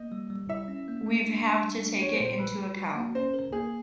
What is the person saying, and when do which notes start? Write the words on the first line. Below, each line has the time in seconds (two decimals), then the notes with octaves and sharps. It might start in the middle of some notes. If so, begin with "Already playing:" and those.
We’ve have to take it into account.
Already playing: A#3 D#5
0.12 G3
0.30 G3
0.49 E4 E5
0.68 C#4
0.88 A#3
1.06 A#3
1.26 D4
1.44 D4
1.64 G3
1.82 D4
2.01 B3 C#5
2.13 C5
2.20 A#2
2.26 C5
2.39 G3 B4
2.58 G3
2.77 F#4
2.95 A#3
3.15 C#4 C5
3.34 A#4
3.52 A#3 G#4